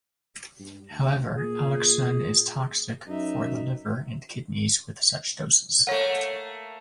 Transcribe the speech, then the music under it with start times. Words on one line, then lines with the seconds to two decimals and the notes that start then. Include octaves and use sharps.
However, alloxan is toxic for the liver and kidneys with such doses.
0.59 G2
0.90 D2
1.36 A#2 G#4
3.07 F#2 D#4 E5
5.87 A3 A#3 C#5 F#5